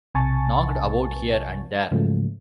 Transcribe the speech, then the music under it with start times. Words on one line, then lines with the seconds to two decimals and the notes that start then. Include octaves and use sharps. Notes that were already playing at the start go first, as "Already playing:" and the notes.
Knocked about here and there.
0.15 B1 C3 G#5 A5 C#6 A6
1.91 G#2 C#3 F3 F#3 G#3 A3